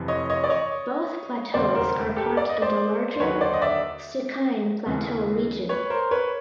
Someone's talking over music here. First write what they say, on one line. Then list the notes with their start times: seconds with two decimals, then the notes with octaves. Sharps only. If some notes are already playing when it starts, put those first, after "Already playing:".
Both plateaus are part of the larger Stikine Plateau region.
Already playing: F1 F2 C3 E3
0.08 C#5 D#5
0.30 C#5 D#5
0.44 D5
0.50 C#5 D#5
1.54 E1 D#2 C#3 F#3 C5 D5
1.75 A#4 C5
2.16 G4 A4
2.37 D5
2.49 D#5
2.62 C5 D5
3.14 C5
3.20 D#2 D3 F#3 B4 C#5
3.41 C5 D5
3.53 D#5
3.62 D5 E5
4.86 D#2 C#3 E3
5.69 B4 C#5
5.90 A#4 C5
6.11 B4 C#5